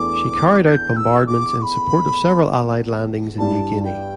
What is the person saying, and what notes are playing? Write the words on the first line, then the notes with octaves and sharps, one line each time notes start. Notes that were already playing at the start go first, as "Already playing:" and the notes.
She carried out bombardments in support of several Allied landings in New Guinea.
Already playing: E2 E3 A3 D4 D6
A6
G6
E6
D6
D6
B5
G2 G3 E4 A5
G5